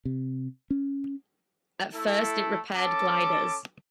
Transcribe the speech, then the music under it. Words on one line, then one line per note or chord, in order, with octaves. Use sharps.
At first it repaired gliders.
C3
C#4
A3 E4 A4
C#4 A4 A5 D6